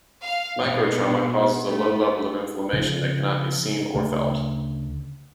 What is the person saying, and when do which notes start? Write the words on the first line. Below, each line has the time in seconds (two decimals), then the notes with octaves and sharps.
Most microtrauma cause a low level of inflammation that cannot be seen or felt.
0.22 F5
0.61 B2
1.67 A3
2.73 C#3 F3
3.95 D2 C#3 A3